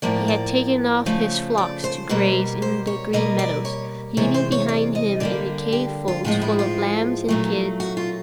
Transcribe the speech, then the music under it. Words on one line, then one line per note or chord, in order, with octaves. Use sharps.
He had taken off his flocks to graze in the green meadows, leaving behind him in the cave folds full of lambs and kids.
A2 F3 A#3 D5
D5
C#3 F3 A3
D5
C5
B2 G3 A#3
C5
C#5
B2 G3 A#3 D#5
D5
C#5
C3 E3 G#3 C#5
C5
C#5
D5
D#5
D3 G3 A#3 D5
G4
F4
A2 F3 G#3 F4
E4
F4
A#2 F#3 A3
F#4
F4